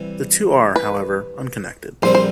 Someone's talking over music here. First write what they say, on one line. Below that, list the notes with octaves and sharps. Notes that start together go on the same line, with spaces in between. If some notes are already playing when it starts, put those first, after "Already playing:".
The two are, however, unconnected.
Already playing: C3 E3 G3
B4
A#1 A#2 G3 C4 C5
C5